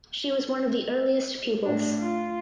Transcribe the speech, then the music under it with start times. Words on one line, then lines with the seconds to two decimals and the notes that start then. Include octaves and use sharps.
She was one of the earliest pupils.
1.64 A2 D4
1.99 F4